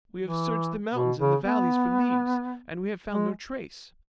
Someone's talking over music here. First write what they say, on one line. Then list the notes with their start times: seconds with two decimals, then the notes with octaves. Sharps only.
We have searched the mountains and the valleys for leagues, and we have found no trace.
0.22 E3
0.95 B2
1.19 C#3
1.43 B3
3.12 G#3